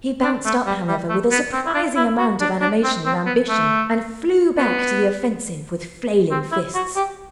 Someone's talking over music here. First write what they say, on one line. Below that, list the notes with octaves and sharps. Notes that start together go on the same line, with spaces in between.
He bounced up, however, with a surprising amount of animation and ambition, and flew back to the offensive with flailing fists.
D4
A3
G3
G3
A3
B3
C4
E4
D4
E4
F#4
D4
D4
C4
C4
B3
A3
B3
C4
E4
F#4
G4